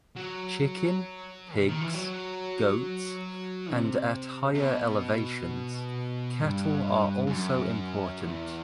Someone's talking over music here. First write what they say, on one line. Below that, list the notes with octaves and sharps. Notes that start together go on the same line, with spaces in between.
Chicken, Pigs, goats, and at higher elevations, cattle are also important.
F#3
C3
D#3
E3
F#3
C3
C3
B2
G2
G2
F#2
E2